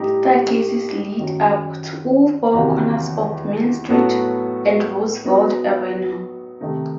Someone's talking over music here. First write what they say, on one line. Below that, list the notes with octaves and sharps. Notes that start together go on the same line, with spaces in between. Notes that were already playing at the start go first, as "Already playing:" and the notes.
Staircases lead up to all four corners of Main Street and Roosevelt Avenue.
Already playing: A2 G3 D#4 G4
F#2 D#3 F#3
E2 C3 D#3 F#3
A2 F#3 B3 F#4 A4
F#3 B3 D#4 F#4
C3 D#3 A3 D#4